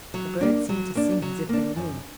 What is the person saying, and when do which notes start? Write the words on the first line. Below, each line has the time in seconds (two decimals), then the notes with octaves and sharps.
"The birds seem to sing as if they knew."
0.14 F#3
0.41 A#3 D4
0.69 F#3
0.95 A#3 D4
1.22 F#3
1.49 A#3 D4
1.76 F#2